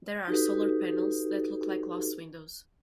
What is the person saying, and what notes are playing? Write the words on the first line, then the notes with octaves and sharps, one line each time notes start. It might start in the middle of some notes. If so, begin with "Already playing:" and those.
There are solar panels that look like glass windows.
D#4 F#4 G4 A4 B4